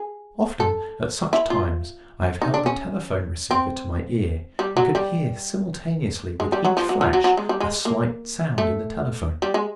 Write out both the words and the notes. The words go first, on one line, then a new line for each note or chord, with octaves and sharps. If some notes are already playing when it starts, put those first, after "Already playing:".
Often at such times I have held the telephone receiver to my ear and could hear simultaneously with each flash a slight sound in the telephone.
Already playing: G#4
A4
E4
F4
D#4
D4
C#4
C4
G3
F#3
G3
G#3
G3
F#3
F3
F#3
F3
F#3
F#3
G#3
G3
G#3
A#3
A3
G3
G#3